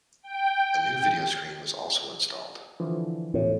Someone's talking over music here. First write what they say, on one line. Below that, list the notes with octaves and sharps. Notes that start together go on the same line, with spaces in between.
A new video screen was also installed.
G5
D3 E3 F3
E2 A2